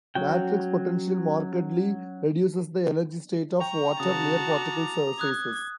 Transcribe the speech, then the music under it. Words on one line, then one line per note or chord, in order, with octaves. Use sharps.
Matrix potential markedly reduces the energy state of water near particle surfaces.
F#3 C#4 F#4 G5
G5 A#5 C#6
C#3 F#4 A5 D#6
D6
D#6 F#6 G#6